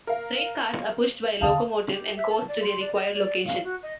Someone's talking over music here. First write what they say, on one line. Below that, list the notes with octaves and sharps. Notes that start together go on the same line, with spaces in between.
Freight cars are pushed by a locomotive and coast to their required location.
A#4 F5
D#2 D3 F5 A5 D#6
G4
E5
A5
D5
C6
D5
D#5
D5
F5
F#4
D#5